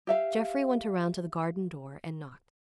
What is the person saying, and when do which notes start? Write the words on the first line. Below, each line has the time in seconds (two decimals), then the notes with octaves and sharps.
Jeffrey went around to the garden door and knocked.
0.07 G4 E5 F5